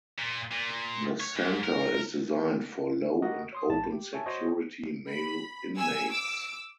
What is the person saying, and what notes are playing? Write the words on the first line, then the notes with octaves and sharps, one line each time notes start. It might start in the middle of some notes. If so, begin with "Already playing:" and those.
The centre is designed for low and open security male inmates.
A#2
A#2
C#5
G#2
A#4
F#4 G4 A#4 D#5 F#5
C#5 C6 D#6
A1 G#2 A5
G4
C#5 E5 G#5 A5
F#4 C5 C#5 D#5
B5
G#5 E6
D6 E6